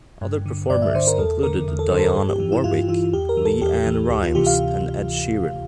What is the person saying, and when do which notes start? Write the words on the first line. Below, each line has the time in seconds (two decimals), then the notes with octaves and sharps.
Other performers included Dionne Warwick, LeAnn Rimes and Ed Sheeran.
0.21 G2
0.46 D3
0.70 G2 D5
0.82 E5
0.94 D3 C5
1.07 A#4
1.18 E2 A4
1.43 D3 A#4
1.68 E2
1.79 A4
1.91 D3 C5
1.99 A4
2.03 A#4
2.16 G2 A4
2.29 G4
2.40 E3
2.52 E4
2.64 G2 F4
2.88 E3 F4
3.13 E2 G4
3.29 A#4
3.37 E3
3.45 A4
3.62 E2 G4
3.86 E3
4.10 D2 G4
4.22 F4
4.35 C3 E3 G4
4.47 F5